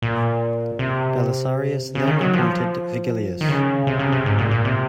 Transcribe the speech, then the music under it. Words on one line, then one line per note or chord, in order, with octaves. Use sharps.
Belisarius then appointed Vigilius.
A#2
C3
C#3
D#3
F#3
F3
D#3
C#3
C3
C#3
C3
G#2
A#2
A#2
C3